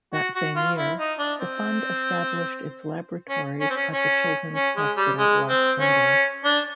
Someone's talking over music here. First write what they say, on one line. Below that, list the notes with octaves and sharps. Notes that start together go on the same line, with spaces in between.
That same year, the fund established its laboratories at the Children's Hospital Los Angeles.
F#4
F#4
F4
E4
D#4
D4
C4
C#4
C#4
C4
C#4
C#4
C#4
G#3
G3
G#3
C4
C#4
D4